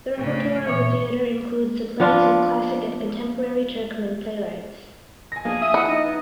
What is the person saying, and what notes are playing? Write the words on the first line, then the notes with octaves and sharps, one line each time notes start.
The repertoire of the theater includes the plays of classic and contemporary Turkmen playwrights.
A2 C#3
A#2 E3 C#5
F3 B3 D4 F4
G#5 A#6
F3 A#3 D4 G#4
E5 D#6
E4 F#5
D#4 D#5
B3